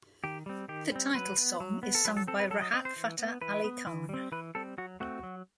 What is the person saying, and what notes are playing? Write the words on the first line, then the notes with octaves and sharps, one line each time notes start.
The title song is sung by Rahat Fateh Ali Khan.
D#3 G4
G3 C4
D#3 G4
G3 C4
F#3 B4
B3
F#3
B3
A4
F#3 B4
A4
C4 A4
B4
F#3 A4
D#5
C4 D#5
C5
E3
B3
E3 B4
B3
E3
G3 C4
E3 B4
G3 C4 A4
F#3 F#4
A3 C4 F#4
F#3